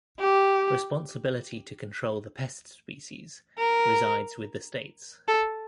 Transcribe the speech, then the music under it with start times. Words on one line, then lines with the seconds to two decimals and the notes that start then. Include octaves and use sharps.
Responsibility to control the pest species resides with the states.
0.20 G4
3.59 A#4
5.28 A4